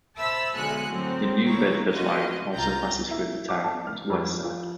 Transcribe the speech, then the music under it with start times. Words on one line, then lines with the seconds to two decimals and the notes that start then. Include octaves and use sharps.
The New Bedford line also passes through the town on its west side.
0.17 C5 E5 A5 B5 E6 B6
0.53 B1 D3 G#3 G#5 F#6 C#7
0.87 A2 F#3 C4
1.46 C#2 E4 C#5 A#5
1.91 F4 F#4 B4 D#5
2.52 C2 F4 A#5 G6
3.11 E4
3.49 D6
3.64 A5
3.87 F6
4.10 F2
4.44 F3